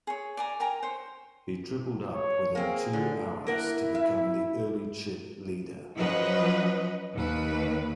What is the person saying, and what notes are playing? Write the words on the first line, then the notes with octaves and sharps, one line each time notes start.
He tripled up within two hours to become the early chip leader.
G#4 C#5
D5 G#5 A#5
A#4 G5 G#5 A#5
C5 C#5
C#5
A#3 C4 G#4
D3
A#3 E4 A#4 F#5
E5
F3 F#3 C#4 B4 D#5
D#2 B4